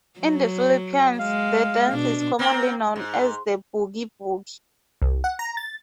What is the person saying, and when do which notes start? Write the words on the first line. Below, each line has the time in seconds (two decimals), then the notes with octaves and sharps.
In the Philippines, the dance is commonly known as the "Boogie Boogie".
0.20 F#3
1.19 G#3 F5
1.91 B2 D4
2.39 A#3 C4
2.96 G#2
5.02 C2
5.24 F#5
5.39 A#5
5.57 A6